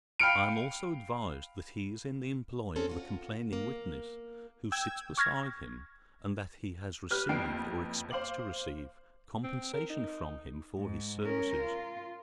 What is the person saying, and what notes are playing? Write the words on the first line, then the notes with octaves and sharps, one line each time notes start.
I am also advised that he is in the employ of the complaining witness who sits beside him, and that he has received, or expects to receive, compensation from him for his services.
F5 G5 B5 F6 C#7 D7
C4 C#4 A4
F4 F#4
A#3
G5 E6 G#6
C#6 F6 G#6 A#6
G4 B4 F6 F#6
F#1 F2 B3 G5 C7 D7
C5 F5 D6 F#7
C4
A#4
D#4
G#2
C#4 A#4
F4